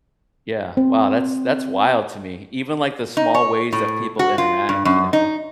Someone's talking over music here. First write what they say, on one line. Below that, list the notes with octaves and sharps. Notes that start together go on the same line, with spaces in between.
yeah, wow, that's, that's wild to me, even like the small ways that people interact, you know?
C4
D#4
C#5
A2
F#4
F4
G2
F#2
D#4